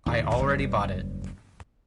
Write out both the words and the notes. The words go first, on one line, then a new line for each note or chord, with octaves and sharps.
I already bought it.
D#2 A2 C#3
F#1 E2 G3